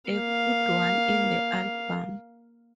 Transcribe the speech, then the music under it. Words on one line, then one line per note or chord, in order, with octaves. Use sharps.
A good one in the album.
A#3 F5